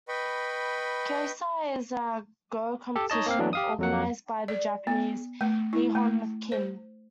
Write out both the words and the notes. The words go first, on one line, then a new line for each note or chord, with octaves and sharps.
Kisei is a Go competition organised by the Japanese Nihon Ki-in.
B4 D#5 G5 B5 C#6
G4 A4
D#4 C#5 D#5 A5
A#3 C4 F5
E3 F#3 B3 D4
G4 F5 D#6
F2 F#3 F#5
D5
B3
A3
E4
A3
C5